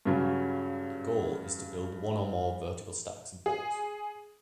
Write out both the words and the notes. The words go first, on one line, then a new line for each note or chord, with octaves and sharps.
The goal is to build one or more vertical stacks of blocks.
G2 C#3 F#3
G#4